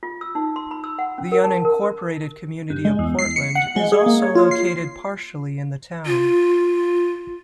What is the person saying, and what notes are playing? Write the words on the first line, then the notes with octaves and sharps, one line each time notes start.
The unincorporated community of Portland is also located partially in the town.
F4
E6
D#4
C6
B5
E6
F#5
C#4
A#4
A5
A#4
G2
G#3
E2
C7
C#7
F#5
G#3
G#4
A#3
C#5
F4
C7
F4